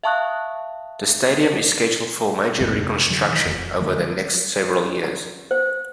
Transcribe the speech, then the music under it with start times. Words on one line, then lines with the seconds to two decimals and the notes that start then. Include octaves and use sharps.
The stadium is scheduled for major reconstruction over the next several years.
0.04 E5 F5 A5 C#6 D#6 F#6
2.59 A#1 F2 A2 G#3
2.78 F2 C3 D4
3.10 D3 F#3
3.25 A#2 D#3 E3
3.44 E1 F2
3.80 D3 F3 F#3 A3
5.51 C5